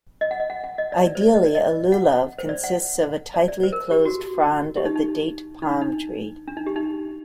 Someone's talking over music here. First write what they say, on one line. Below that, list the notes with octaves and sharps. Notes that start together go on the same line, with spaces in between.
Ideally, a "lulav" consists of a tightly closed frond of the date palm tree.
D#5
F#5
D#5
F#5
F#5
D#5
D5
D5
C5
D5
D#5
D5
D#5
F#5
C5
D5
F#5
D5
D5
C5
A#4
G4
F#4
G4
D#4
D#4
D#4
D4
D#4
D4
D#4
G4
D#4